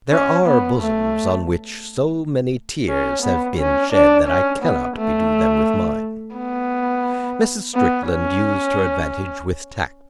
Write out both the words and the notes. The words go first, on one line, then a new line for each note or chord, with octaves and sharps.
There are bosoms on which so many tears have been shed that I cannot bedew them with mine. Mrs. Strickland used her advantage with tact.
C#4
B3
A3
C#4
B3
C#4
D4
C#4
B3
A3
B3
B3
C#4